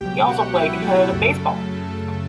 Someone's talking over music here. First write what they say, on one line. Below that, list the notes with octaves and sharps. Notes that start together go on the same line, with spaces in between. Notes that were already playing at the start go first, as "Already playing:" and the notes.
He also played competitive baseball.
C#2 B2 F#3 G4 G5
F#4 F#5
E4 E5
A3 A4
F#2 C#3 F#3